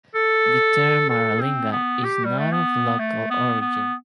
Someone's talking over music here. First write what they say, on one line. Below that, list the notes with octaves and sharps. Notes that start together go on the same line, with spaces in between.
The term "maralinga" is not of local origin.
A4
A4
C4
B3
G4
G3
A3
B3
A3
B3
B3